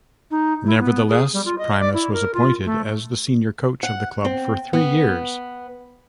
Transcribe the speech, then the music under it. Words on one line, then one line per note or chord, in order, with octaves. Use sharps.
Nevertheless, Primus was appointed as the senior coach of the club for three years.
D#4
E4
B3
G#4
G3
F4
D#5
D5
E4
A#4
F4
A3
F#5
C4
B3